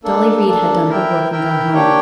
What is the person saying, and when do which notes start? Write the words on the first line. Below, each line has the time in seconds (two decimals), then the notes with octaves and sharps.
Dolly Reid had done her work and gone home.
0.04 A#3 D4 A4
0.46 A#3 D4 A4
0.89 E4 A#4 E5 G5
1.32 E4 A#4 E5 G5
1.74 A#3 D4 G4 C#5 G5